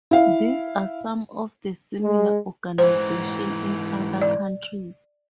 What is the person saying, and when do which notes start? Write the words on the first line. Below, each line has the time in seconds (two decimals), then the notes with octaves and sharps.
These are some of the similar organisations in other countries.
0.11 E4 F5
2.03 G#3
2.78 G#2 E3 C5
4.22 D5